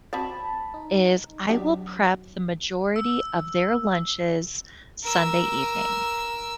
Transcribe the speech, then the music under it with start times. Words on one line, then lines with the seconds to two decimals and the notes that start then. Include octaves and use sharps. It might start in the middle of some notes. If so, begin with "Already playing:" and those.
is I will prep the majority of their lunches Sunday evening.
0.13 C4 F#4 D5 A5 B5
0.74 D#4
1.49 F#3 D4 F#4 G4
2.96 E6
5.03 A#4 E6